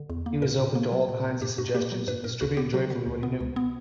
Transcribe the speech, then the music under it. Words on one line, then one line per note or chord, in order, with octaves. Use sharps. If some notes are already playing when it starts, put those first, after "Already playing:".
He was open to all kinds of suggestions, and distributed joyfully what he knew.
Already playing: D3
E2
A#3
A#2 A#4
A#2
A#3
F#3
A#2
A#2
G2 G4
G2 F#4
A#3 G4
F#3
G2 B4
G2 A#4
D2 F#4
B3 G4
F#3 F#4
D3
D2
B3
C#2
B3